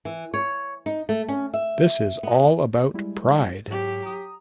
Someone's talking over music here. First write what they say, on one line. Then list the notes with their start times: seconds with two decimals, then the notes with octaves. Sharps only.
This is all about pride.
0.05 E3
0.34 C#5
0.86 D#4
1.09 A3
1.29 C#4
1.54 E5
2.23 B3
2.94 G3 G#3 E4
3.68 G#2 F#3 G4
4.03 A#5 D#6